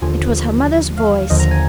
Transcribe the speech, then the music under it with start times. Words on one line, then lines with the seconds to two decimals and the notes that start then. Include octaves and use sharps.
It was her mother's voice.
0.02 D#2 D3 F3 G#5
0.98 F5
1.30 D#2 D3 F3 D#5
1.40 A#5
1.51 G#5